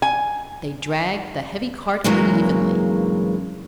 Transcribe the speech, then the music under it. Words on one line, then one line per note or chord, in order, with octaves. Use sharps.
They dragged the heavy cart unevenly.
G#5
G2 C#3 E3 F#3 G#3 A#3